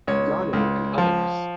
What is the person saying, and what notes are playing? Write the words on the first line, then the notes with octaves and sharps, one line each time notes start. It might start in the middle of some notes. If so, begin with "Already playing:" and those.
Janu and others.
C#2 C#5
C#2
F3